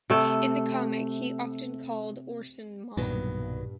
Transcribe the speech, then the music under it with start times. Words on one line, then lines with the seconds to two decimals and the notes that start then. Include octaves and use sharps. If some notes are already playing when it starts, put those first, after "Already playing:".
In the comic, he often called Orson Mom.
0.10 C3 A3
2.97 B1 G2 A#2 D#3 F#3 B3